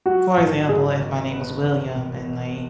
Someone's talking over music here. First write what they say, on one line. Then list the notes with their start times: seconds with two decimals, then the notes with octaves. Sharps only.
For example, if my name was William and, like,
0.06 F#3 F#4
0.37 G#1
0.69 G#1 G#4
0.99 G#1
1.30 B3
1.63 E2
1.94 E1
2.25 E2